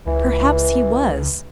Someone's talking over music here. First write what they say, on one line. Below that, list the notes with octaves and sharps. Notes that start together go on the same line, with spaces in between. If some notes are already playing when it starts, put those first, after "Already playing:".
'Perhaps he was.
C#2 E3